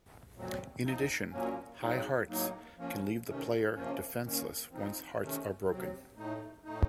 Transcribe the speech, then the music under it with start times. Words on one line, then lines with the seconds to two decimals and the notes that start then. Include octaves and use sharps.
In addition, high hearts can leave the player defenseless once hearts are broken.
0.34 A#2 F#3 A3 C4
0.83 F3 C4 D#4
1.31 A#2 F#3 A#3 C#4
1.81 C#3 F#3 C4 D#4
2.28 A2 F#3 A#3 D#4
2.78 F3 A#3 C#4
3.26 C3 D#3 A3 C#4
3.74 C3 F3 A#3 C#4
4.23 D#3 A#3 C#4
4.71 F3 C4 D#4
5.19 C3 D#3 A3 C#4
5.68 C3 F#3 C4
6.16 A2 A3 D#4
6.64 A2 A3 D#4